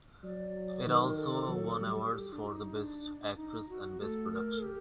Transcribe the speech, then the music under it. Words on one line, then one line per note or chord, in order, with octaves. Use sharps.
It also won awards for the Best Actress and Best Production.
F#3 D5
D#3 A#4
A4
F#3
G3
G4
D4
F#4
D#4
D4
D#4
F#4
A3 A4
A#4
G4